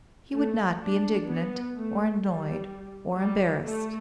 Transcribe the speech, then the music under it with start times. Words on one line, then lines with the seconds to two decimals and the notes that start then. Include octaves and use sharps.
He would not be indignant, or annoyed or embarrassed.
0.34 A3
0.81 D4
1.28 B3
1.74 A3
2.22 G3
3.16 G3
3.63 A3